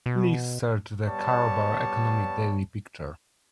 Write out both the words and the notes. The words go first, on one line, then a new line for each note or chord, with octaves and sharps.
Please search the Karobar Economic Daily picture.
B2
G3 B3 C#5 D5 A5